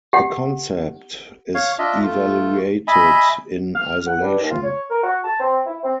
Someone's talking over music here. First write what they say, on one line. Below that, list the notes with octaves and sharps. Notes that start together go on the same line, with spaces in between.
The concept is evaluated in isolation.
G4 F#5
C#5 F5
D4 F4 D#5 E5
A3 F4
D#5 E5 G#5 B5
F6
F#5
G2
D#2
F4
C#5
A#4
F#4
A5
C4
E4
C4